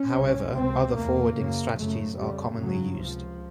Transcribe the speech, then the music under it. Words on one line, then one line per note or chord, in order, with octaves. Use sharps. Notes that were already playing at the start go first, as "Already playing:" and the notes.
However, other forwarding strategies are commonly used.
Already playing: C#4
C2 C3
C#2 C3 C4
E2 C3 A#3
F#2 C#3
F#2 C#3 A3
F2 C#3 G3
F#2 C#3 F#3
C#2 C3 F3